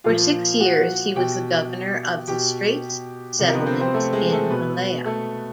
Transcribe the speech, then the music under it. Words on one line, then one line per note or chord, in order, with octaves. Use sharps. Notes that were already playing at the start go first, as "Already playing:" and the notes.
For six years, he was the governor of the Straits Settlements in Malaya.
A#2 F3 F4 F5
F#4 F#5
B2 G4 G5
B2 G4 G5
C3 F3
A#4
B3 B4
C4 C5
C4 C5
A3 A4
G#3 G#4
A3 A4
B2 B3 B4
A3 A4